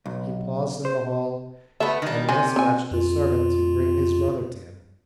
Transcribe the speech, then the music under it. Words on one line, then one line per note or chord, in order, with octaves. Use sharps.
He paused in the hall and despatched a servant to bring his brother to him.
B1
C5
A3 B3 E5
D#3 G3
C3 G#5
C4 G#5
F2 F4